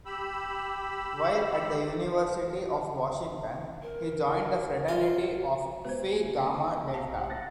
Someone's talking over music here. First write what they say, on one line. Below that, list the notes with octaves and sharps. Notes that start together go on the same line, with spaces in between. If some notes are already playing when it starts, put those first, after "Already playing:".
While at the University of Washington he joined the Fraternity of Phi Gamma Delta.
G4 B5 E6
A#4
F4
G#3 B3 G4 B4 C5
A#3 G#5
B1 G4 F5 A5 A#5
A1 F#5
F#6 A6 A#6 C#7